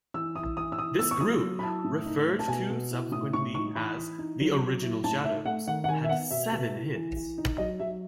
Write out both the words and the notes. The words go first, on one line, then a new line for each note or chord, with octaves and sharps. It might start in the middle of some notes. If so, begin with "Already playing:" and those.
This group, referred to subsequently as "the Original Shadows", had seven hits.
E3 E6
E4 D#6
E3 D#6
E6
E4 D#6
B3 E6
C#6
F#3 D#6
F#3
B5
E4 A5
A2
D#4
A3
A5
B2 G#5
B2
E4
A2 D#6
A2 C#6
D#4 C#6
E3 B5
E3
D#4
F#3
F#3
E4
A2 A5
D#4 E5
A3 F#5
D#3 F#5
F#5
D#3 G#5
E5
B3 F#5
B2 E5
B2
E4
E3
E3
D#4
F#3 D#5
F#3 E5